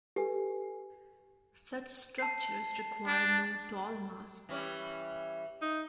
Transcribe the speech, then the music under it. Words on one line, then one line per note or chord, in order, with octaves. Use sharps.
Such structures require no tall masts.
G4 A4 B4 G#5
A5 C7
D4
E3 G3 C#4
D#4